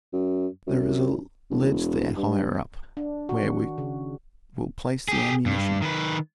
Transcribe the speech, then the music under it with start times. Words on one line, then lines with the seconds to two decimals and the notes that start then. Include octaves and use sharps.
There's a ledge there higher up where we will place the ammunition.
0.13 F#2
0.67 F#2
1.50 E1
2.17 G2
2.97 D4
3.29 F#4
3.42 D#3
3.78 C#3
5.08 G4 G#4
5.46 G2
5.82 D#3 B4